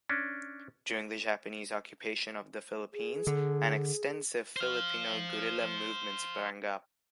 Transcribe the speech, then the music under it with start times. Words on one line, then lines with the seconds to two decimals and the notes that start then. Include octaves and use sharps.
During the Japanese occupation of the Philippines an extensive Filipino guerrilla movement sprang up.
0.09 C#4 D4
2.93 G#4
3.27 D3
4.57 C5 F5